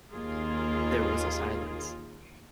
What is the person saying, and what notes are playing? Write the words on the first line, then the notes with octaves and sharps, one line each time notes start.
There was a silence.
D#2 A#3 F4 G#4